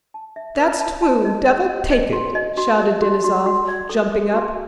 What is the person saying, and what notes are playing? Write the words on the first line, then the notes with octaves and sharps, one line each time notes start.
"That's twue, devil take it!" shouted Denisov, jumping up.
A5
E5
B4
A5
A5
D#5
D#5
D#5
D#5
F#4
D#5
F#4
D#5
F#4
F#4
F#4
D5
A4
A4
F#4